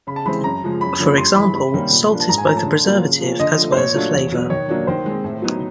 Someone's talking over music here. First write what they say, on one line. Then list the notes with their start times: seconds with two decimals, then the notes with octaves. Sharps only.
For example, salt is both a preservative as well as a flavor.
0.07 C#3 B5
0.16 A5
0.26 E3 G#3 C4 B5
0.44 F#2 A#5
0.63 C#3 F3 G#3
0.81 F#2 B5
0.99 D3 F3 A#3 C#4
1.17 G2 C6
1.36 E3 G#3 B5
1.55 C3 B5
1.74 D#3 G3 A#3 C#4
1.92 A#2
2.10 F3 A#3 D4
2.20 A5
2.29 G#2 A#5
2.38 G#5
2.47 F3 A3 C#4 A#5
2.57 A5
2.66 D3
2.84 F#3 A#3 D4 F4
3.02 C#3
3.20 F3 A#3 C#4
3.39 D3 D#5
3.58 F3 A3
3.72 C5
3.77 A#2 C#5
3.95 F#3 A3 D4 F4
4.13 E2
4.32 B2 F#3 B3
4.50 D#3 C#5
4.69 F#3 A#3 D4
4.87 D#3 C5
5.06 G#3 C4
5.24 A2
5.42 F#3 B3 D#4